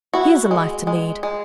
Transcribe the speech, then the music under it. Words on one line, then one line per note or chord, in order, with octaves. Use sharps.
Here's a life to lead!
E4 F#4
G#3
G#3
G#3